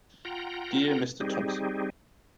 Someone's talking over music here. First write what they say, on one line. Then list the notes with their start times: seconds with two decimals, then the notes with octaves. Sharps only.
Dear Mr Thompson.
0.25 F4 F#5 G5 A#5
1.21 G3 C4 D#4 G4 G#4